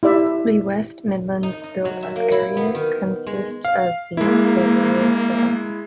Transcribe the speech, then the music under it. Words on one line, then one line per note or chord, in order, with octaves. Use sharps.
The West Midlands Built Up Area consists of the below settlements.
E4 G4 D5 E5
D#4
D#4
F#3
E5
A#3
E4
B3
D#3
G#3
F5
G#3 A#3 E4